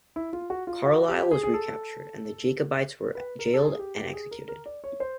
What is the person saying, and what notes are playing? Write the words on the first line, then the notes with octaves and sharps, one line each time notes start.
Carlisle was recaptured, and the Jacobites were jailed and executed.
E4
F4
F#4
F4
F#4
G4
G#4
G#4
A4
B4
A#4
A4
G#4
G4
G4
G#4
A#4
A#4
D5
C#5
C5